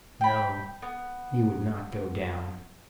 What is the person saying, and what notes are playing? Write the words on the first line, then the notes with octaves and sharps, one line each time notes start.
No, he would not go down.
G5 B5
B3